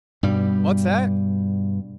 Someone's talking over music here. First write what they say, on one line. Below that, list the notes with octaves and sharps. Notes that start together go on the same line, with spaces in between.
"What's that?"
G2 B2 G3